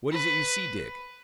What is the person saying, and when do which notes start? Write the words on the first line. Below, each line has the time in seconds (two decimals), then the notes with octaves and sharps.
"What is it you see, Dick?"
0.12 B4